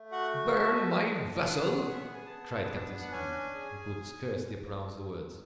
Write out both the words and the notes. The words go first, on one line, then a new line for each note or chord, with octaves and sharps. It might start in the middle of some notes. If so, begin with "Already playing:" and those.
"Burn my vessel!" cried Captain Speedy, who could scarcely pronounce the words.
Already playing: A3
F#4 F#5
A4 E5
D4
B3 F#5
G#4
E5
F#5
G#5
B3 A5
D4
F#5
C#4 G#5
G#4